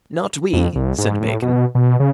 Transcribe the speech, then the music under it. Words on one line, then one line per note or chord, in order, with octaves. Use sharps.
"Not we," said Bacon.
F2
C2
G#2
A2
B2
B2
C#3